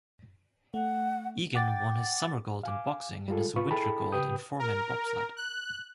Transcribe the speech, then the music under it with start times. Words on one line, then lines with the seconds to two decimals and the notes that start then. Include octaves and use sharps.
Eagan won his summer gold in boxing and his winter gold in four-man bobsled.
0.74 A3 F#5
1.55 F#5 G5 D6 A6
2.63 F5 G#5 D6
3.28 G3 G#3 F4 G#4 A4
3.56 C2 B2 F4 B4 C#6
3.71 E4 G#4 A4 G5 A5 B5
4.12 C#3 G4 B4 G5 D#6 G6
4.60 A#4
5.37 F#6